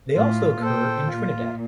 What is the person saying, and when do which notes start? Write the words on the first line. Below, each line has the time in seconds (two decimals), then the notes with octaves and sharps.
They also occur in Trinidad.
0.15 A2 F4
0.61 A#2 A4 C5 G5
1.08 F4